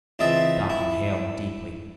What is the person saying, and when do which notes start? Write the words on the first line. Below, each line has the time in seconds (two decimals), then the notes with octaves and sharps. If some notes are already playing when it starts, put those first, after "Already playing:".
Doc inhaled deeply.
0.19 C#2 E3 C4 D#5 E5 A5
0.70 E4